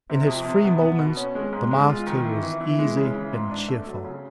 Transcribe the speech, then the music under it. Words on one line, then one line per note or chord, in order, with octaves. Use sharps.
In his free moments the Master was easy and cheerful.
C3
F2
C3
B3
B3
B2
C#4
G#3
G#2
G#3
F4
D#3
E3
E3
E3
G#3
C#3
E3
G#2
D4
A3
F#3
C#3